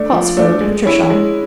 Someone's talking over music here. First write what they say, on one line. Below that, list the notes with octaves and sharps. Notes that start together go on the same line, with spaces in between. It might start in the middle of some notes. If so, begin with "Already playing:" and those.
Cotswold Patricia.
Already playing: A3 D4
F3
A3 D4
G#3
C#4 E4
G#3